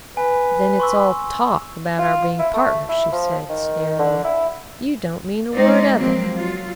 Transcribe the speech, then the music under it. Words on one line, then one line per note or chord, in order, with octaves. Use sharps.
"Then it's all 'talk' about our being partners," she said, sneeringly. "You don't mean a word of it."
B4 G#5
C6 C#6 E6
F4
E4
A3
E4
F3
D#3
D3
E4
G#3 C4 D#4 C5 D5
F3 F#3 G#3 A#3 C4
F#3 F4